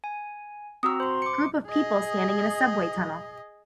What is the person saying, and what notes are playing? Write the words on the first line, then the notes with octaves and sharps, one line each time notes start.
Group of people standing in a subway tunnel.
G#5
C4 F#4 A#5 D#6 E6
C5 C6
D6 C#7
G#4 D#5